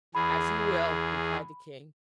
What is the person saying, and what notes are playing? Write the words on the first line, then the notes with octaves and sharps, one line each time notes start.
'As you will,' replied the king.
E2 G#4 B5